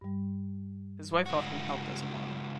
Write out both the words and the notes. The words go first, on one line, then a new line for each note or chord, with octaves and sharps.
His wife often helped as a model.
G2 G3
C#2 F#4